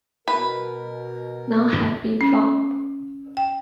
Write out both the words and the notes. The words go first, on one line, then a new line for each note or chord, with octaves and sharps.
None had been found.
B2 A#4 B4
C#4
G5